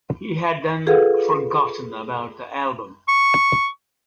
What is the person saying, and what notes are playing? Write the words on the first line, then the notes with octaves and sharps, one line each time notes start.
He had then forgotten about the album.
F4 G#4 A4 B4 F5 F#5
C#6